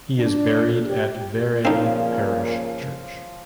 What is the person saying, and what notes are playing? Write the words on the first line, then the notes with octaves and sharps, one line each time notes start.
He is buried at Vere Parish Church.
D4
G4
A#2 C#3 F3 C4 D#4 F5